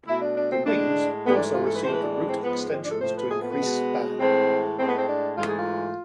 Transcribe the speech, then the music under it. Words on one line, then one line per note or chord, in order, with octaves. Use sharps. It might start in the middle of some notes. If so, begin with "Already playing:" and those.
The wings also received root extensions to increase span.
B2 A3 E4
D4
D4
C4
A2 G#3 D4
G#2 E3 A3 B3
D4
F4
A4
B4
A2 E3 G#3 C5
B4
D4
D4
C4
G#2 F3 G#3 B3
C4
D4
A4
A2 F3 A3 C5
B4
G#4
B3
B3
B2 G#3
A2 E3 G#3 C4
A2 G#3 C4
B3
C4
D4
G#2 E3 A3 F4
G#4
F4